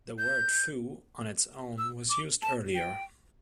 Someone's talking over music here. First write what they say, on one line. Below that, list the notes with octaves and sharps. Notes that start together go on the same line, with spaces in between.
The word "foo" on its own was used earlier.
G6
E6
D6
A5
G5